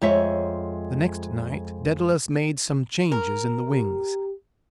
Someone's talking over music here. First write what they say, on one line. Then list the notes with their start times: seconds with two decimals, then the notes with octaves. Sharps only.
The next night Daedalus made some changes in the wings.
0.02 F2 G#3 C#5 E5
3.12 A#4
3.71 G4